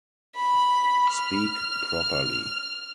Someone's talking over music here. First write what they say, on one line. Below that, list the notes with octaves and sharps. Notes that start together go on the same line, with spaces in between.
Speak properly.
B5
F6